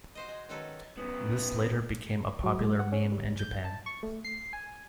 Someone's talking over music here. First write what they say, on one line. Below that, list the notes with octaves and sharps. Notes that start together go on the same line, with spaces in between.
This later became a popular meme in Japan.
F#4 C5 D#5
G#3
D#3 F#3 C#4 F#4 A4 B4
F#2 B3
F#3
G#3
F#5
C#4
G3
G6
A5
C#6
A3
C7
G#5